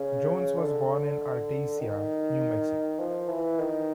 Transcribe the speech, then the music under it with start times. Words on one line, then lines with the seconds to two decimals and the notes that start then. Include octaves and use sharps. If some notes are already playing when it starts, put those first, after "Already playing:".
Jones was born in Artesia, New Mexico.
Already playing: C#3
0.59 D3
1.79 D#3
3.00 F3
3.29 E3
3.60 D#3